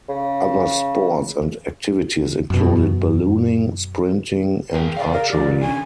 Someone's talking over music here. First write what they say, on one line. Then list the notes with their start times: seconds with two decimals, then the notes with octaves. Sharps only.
Other sports and activities included ballooning, sprinting and archery.
0.09 C#3
2.50 F#2 B2
4.74 G#4 A#4 G5
4.97 G#4 D5 F5
5.12 A#4
5.30 E3 G4 D5
5.61 D3 C#4 G#5